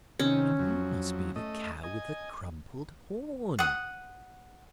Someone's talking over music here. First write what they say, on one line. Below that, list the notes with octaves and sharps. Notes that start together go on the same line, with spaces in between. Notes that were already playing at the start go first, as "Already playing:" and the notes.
"Then you must be the Cow with a crumpled horn!"
C3 D#3 C#4
F2 F#3
A3 D#5
D#5 G#5
F#5 D#6